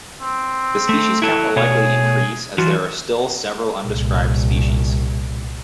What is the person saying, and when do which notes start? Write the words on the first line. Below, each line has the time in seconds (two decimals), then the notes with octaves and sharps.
The species count will likely increase as there are still several undescribed species.
0.21 C4
0.89 A3
1.22 F#3 E4 A4
1.56 B2 A3 G#4 C#5
2.58 E3 F#3 F4 F#4
3.84 C2 A#2